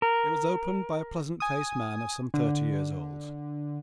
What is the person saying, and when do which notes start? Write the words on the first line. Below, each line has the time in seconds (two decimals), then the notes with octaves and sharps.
It was opened by a pleasant-faced man of some thirty years old.
0.02 A#4
1.40 G#5 D#6
2.34 D3